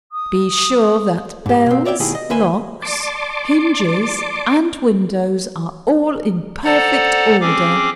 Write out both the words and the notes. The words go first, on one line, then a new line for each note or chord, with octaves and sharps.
Be sure that bells, locks, hinges, and windows, are all in perfect order.
D#6
G#2 G4
B2 C4
C#5 D5 E5 F5 G5
B2 D#3 A3 E4 G4 G#4
D#5
D2 A#3 B4 E5 G#5 C6
D5 A5 C6 D6
A4 C5 D5 F#5 A#5
C4 C#4 G#4 D6